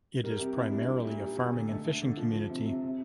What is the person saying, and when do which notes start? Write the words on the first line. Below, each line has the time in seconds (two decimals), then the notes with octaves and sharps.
It is primarily a farming and fishing community.
0.24 G3 A#4
0.39 C3 G4
0.56 C3 E4
0.72 G3 D4
0.88 G3 E4
1.04 A#2
1.21 G3
1.37 A#2
1.53 D3
1.69 A3
1.85 D3
2.02 D3
2.17 F3
2.33 F3
2.50 C3
2.66 C3
2.82 C3